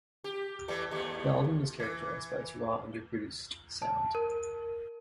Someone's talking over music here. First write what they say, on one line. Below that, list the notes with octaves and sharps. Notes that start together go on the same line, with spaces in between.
The album is characterized by its raw, under-produced sound.
G4
E3 G3 A3
D#2 A3
E3
A5
A#4